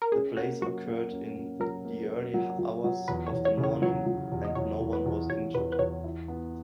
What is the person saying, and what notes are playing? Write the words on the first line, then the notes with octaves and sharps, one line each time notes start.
The blaze occurred in the early hours of the morning and no-one was injured.
A#4
C#4 G#4
A#3 F#4
F#3 F#4
A#3
C#4
C#4
F#3 A#4
A#3
A#3
F#3
F#3
F#3
E2 B4
C#5
E2
C#5
C#3
C#5
F#3 C#5
F#3
E2
D#5
E2 C#5
E2
B4
E2
E2 C#5
E2 B4
B4
E2 C#5
E4
B3